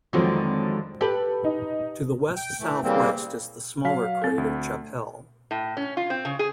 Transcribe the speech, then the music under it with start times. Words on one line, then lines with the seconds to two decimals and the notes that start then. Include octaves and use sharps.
To the west-southwest is the smaller crater Chappell.
0.13 F2 D3 D#3 F3 F#3 G#3
1.01 G4 A4 B4
1.44 D#4
2.37 G5
2.60 E3 A3
2.83 C#3 E3 G3 A#3 C4
3.84 F#3 F5 B6
4.22 C4 A4
4.38 D2
5.51 A2
5.77 C#4
5.97 F4
6.10 C4
6.25 C#3
6.39 G#4